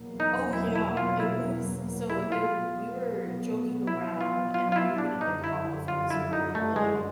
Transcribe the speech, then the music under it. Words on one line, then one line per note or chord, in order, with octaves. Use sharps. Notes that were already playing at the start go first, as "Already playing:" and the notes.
Oh yeah, it was so i we were joking around and we were gonna like hop off like, this really big,
Already playing: E2 B2 F#3 A#3
D#4
E4
E4
F4
E4
E4
F4
B2 F#3 B3
E4
F4
F4
F4
E4
D4
F#2 D3 G3 D#4
E4
F4
E4
D#4
A3
G#3